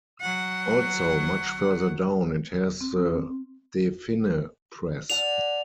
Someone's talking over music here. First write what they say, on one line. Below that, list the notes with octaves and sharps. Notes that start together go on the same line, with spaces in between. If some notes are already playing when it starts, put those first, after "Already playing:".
Also, much further down it has The De Vinne Press.
F#3 F#5
C4
D5 F#5 A5 F7